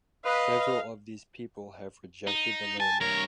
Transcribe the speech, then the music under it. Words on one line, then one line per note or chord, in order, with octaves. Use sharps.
Several of these people have rejected the label.
B4 D#5 F5
D#4
G#5 A5
G2 A#4 C#5